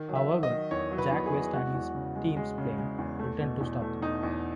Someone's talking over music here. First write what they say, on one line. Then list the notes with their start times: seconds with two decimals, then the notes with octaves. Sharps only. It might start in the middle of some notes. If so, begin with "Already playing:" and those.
However, Jack West and his team's plane return to stop them.
Already playing: D#3
0.09 F#3
0.16 E5
0.29 F#3
0.43 D#5
0.50 D#3
0.71 E2 C#5
0.92 F#3
0.98 B4
1.12 E2
1.26 G#4
1.32 E2
1.53 G#3 F#4
1.74 E2
1.95 C#3
2.16 G#3
2.37 G#3
2.58 C#3
2.78 G#3
2.99 E2
3.19 A3
3.41 B2
3.60 E2
3.82 A3
4.02 E2 D#4
4.23 E2